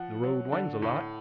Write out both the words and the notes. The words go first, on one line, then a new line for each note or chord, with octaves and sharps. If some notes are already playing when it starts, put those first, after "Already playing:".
The road winds a lot.
Already playing: F3 F#5
F#3
D3
A2